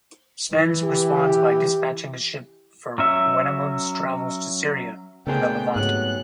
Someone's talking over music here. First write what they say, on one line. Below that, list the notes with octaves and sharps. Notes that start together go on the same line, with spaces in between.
Smendes responds by dispatching a ship for Wenamun's travels to Syria and the Levant.
E3
G4
F#3 C#4 E5
C#3 A3 B3 D4 G#4 A#4 C5 G5
G#2 C3 F#3 F#4 F#6